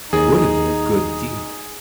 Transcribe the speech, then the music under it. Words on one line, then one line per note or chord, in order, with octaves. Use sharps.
It would have been a good deal.
D#2 D#4 G#4